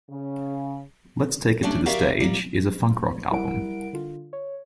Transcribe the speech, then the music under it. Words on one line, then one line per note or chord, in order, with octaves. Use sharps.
"Let's Take It to the Stage" is a funk rock album.
C#3
G3 A3 C#4 D4
F#4 G4 A#4 D5 E5 F5
G3 A#3
G3 E4 A#4 F#5 D7
D3 F4
C#5